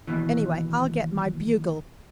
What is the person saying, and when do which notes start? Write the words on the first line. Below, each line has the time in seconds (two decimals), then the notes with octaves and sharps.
Anyway, I'll get my bugle.
0.07 D#2 B2 E3